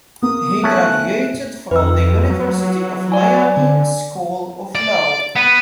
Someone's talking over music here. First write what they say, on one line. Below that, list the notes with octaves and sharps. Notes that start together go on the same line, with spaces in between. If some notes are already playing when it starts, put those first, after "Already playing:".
He graduated from the University of Miami School of Law.
A#3 B3 D#6
A3 C#4 F#6
F2 B4 E6
F#3
D5 G#5
D3
D5
B3